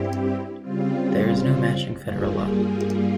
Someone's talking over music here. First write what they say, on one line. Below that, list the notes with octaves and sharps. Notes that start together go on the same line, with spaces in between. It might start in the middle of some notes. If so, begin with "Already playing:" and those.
There is no matching Federal law.
Already playing: G2 G3 C4 E4 G4
C#3 G3 C4 F4
G2 G3 A#3 F4 G#4